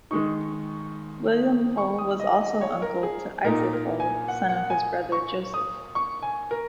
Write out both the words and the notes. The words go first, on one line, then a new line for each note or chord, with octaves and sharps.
William Hull was also uncle to Isaac Hull, son of his brother Joseph.
D#3 G#3 D#4 C#6
C#6
D#6
D#5
D#5
C#5
A#4
G#4
A#2 A#3 D#4 A#4
A#4
G#5
F#5
F#5
G#5
C#6
D#6
C#6
G#5
A#4